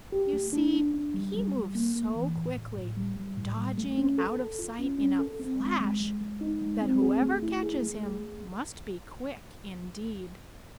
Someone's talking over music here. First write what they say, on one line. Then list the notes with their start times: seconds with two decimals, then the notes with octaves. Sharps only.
You see he moves so quickly, dodging out of sight in a flash, that whoever catches him must be quick indeed.
0.12 G4
0.33 A3
0.53 D4
0.73 D4
0.94 D4
1.14 G3
1.35 G3
1.54 G3
1.75 A#3
1.96 A#3
2.16 E3
2.36 A2
2.56 A2
2.76 A2
2.96 G3
3.17 G3
3.37 A2
3.57 G3
3.78 A3
3.98 C#4
4.18 A4
4.38 A4
4.59 F4
4.79 C#4
4.99 C#4
5.19 A4
5.40 C4
5.60 G#3
5.80 G#3
6.00 G#3
6.21 G#3
6.41 D#4
6.61 G#3
6.81 C4
7.02 G#4
7.22 A3
7.42 E4
7.63 G#4
7.83 A3
8.03 G#4